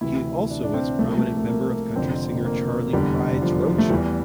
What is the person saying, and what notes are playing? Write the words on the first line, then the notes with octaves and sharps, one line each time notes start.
He also was a prominent member of country singer Charley Pride's road show.
D2 C3 E3 E4
D4
D4
C4
C2 C3 F3 A3
A#3
A3
A#3
A3
A#3
F1 F2 D3 F3 C4
A#3
F1 E2 D3 G3
F3
F3
A3
E2 E3 G3